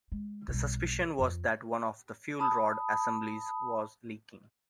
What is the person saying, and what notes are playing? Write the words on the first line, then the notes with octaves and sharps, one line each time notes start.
The suspicion was that one of the fuel rod assemblies was leaking.
G#3
B1 G3
F2
A5 B5 D#6